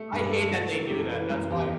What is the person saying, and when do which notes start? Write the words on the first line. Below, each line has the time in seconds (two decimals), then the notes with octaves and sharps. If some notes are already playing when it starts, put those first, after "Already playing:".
I hate that they do that, that's why
Already playing: A3
0.12 G2
0.19 B4
0.32 A3 A4
0.51 F#3
0.71 E3
0.87 F#2 G4
0.99 A4
1.10 E3 B4
1.30 F#2
1.50 E2 G4